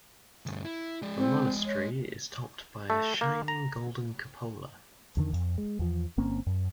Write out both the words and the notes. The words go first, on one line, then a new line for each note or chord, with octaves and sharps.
The monastery is topped by a shining golden cupola.
D2 G2
E4
G#3 D5
C4
C#5
A3
A#3
A#5
E2 D3 D#3
F2
G#3
E2 F3
G1 A#3 C4 C#4
F#2